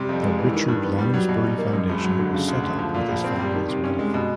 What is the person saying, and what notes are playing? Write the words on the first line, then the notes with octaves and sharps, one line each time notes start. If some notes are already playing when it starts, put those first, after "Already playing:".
The Richard Lounsbery Foundation was set up with his family's wealth.
Already playing: C3 G3
F2
G#3
E3
D#3
G2
B3
G3
F#3
B2
D#4
A#3
F#2
G#1
F#3
D3
C#3
D2
D2
F3
A#2
A#1
C4
G3
D#3
C3
C#4
G#3
B2